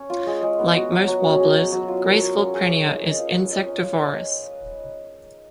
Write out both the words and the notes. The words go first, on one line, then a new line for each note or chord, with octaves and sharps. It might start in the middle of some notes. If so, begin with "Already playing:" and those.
Like most warblers, graceful prinia is insectivorous.
Already playing: C#4
F4
G#3
G#3
B3
F#4
F#3
F#3
C#4
G#4
F#3
F#3
F4
A#4
C#5
C#4
G#4
C#5
D#4
D#4
F4
B4
D#5
C#4
F4
B4